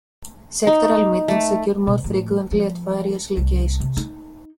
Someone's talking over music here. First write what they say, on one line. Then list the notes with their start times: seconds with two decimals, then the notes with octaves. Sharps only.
Sectoral meetings occur more frequently at various locations.
0.67 D#4
1.28 A3
1.87 B2
2.04 A2 F3
2.51 F3
3.37 C2
3.80 C3
3.97 D#4